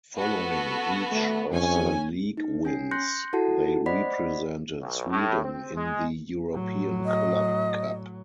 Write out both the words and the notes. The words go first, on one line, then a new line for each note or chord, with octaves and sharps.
Following each of the league wins, they represented Sweden in the European Club Cup.
B3 F#4 A4
A3
F2 C#4 G#5
D#4
C#4 G#5 C7
C6 F#6 G6 A#6 C#7
E4 F#4 A4 F#5 A5
C5 D5 D#5 F#5 B5 B6
B1
A2
C4
G#3
A2 F#3
D#5